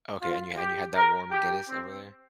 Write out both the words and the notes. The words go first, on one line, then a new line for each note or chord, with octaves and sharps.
Okay, and you and you had that warm Guinness over there?
F4
G4
A#4
G4
C4